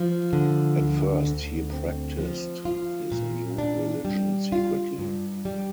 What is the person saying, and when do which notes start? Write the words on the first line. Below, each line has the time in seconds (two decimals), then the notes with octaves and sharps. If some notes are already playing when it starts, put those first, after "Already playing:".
At first he practised his new religion secretly.
Already playing: F3
0.33 D3
0.79 D2
1.26 D2
1.73 C4
2.18 F3
2.65 F4
3.12 A#2
3.58 D4
4.05 G3
4.52 F4
4.98 G2
5.45 G3